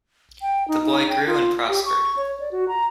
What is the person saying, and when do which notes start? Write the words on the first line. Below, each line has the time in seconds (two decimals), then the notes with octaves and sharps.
The boy grew and prospered.
0.42 G5
0.68 D#4
0.83 D#4
1.09 G5
1.26 F4
1.69 G4
1.86 C#6
2.17 C#5
2.40 D5
2.52 F#4
2.68 A#5